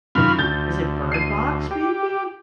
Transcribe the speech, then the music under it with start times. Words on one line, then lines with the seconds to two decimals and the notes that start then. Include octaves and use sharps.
Is it Bird Box maybe?
0.15 F#2 D#3 F4 B5 F6
0.39 D2 G6 A6
1.12 C7 D#7
1.71 G4